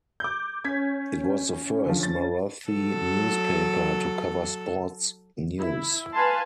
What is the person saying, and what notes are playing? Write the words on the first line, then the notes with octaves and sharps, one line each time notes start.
It was the first Marathi newspaper to cover Sports news.
D6 G6
C#4 G#6 B6
D3 F3
A6
F#3 A4
E4
B4 F5 G#5 A5 C6